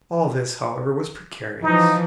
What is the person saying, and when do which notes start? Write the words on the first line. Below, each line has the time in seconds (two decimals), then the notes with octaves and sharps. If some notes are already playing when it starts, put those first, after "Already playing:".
All this, however, was precarious.
1.63 E3 F3 D#4